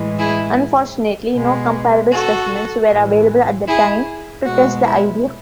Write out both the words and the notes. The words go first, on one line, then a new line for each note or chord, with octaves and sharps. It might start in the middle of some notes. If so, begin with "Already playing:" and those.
Unfortunately, no comparable specimens were available at that time to test the idea.
Already playing: A2 E3 G#3
E4 G#4
B2 G#3
F#4 A4
A2 E3 G#3
E4 G#4
B2 G#3 F#4
E4